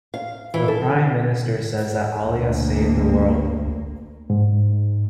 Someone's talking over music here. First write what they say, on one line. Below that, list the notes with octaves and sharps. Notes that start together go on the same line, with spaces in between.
The Prime Minister says that Ali has saved the world.
F5
E3
A4
D2 A#3
G#2